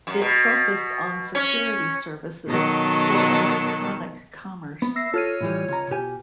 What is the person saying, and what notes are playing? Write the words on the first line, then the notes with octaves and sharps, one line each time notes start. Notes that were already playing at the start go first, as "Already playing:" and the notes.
It focused on security services for electronic commerce.
F#2
B2
C#4
B2 D#3 F#3 A4
B3
E5 E6 A#6 C7
F4 A4 C#5 F6 D#7
A2 E3 G3
C#2 A#5
B2 G4 G#5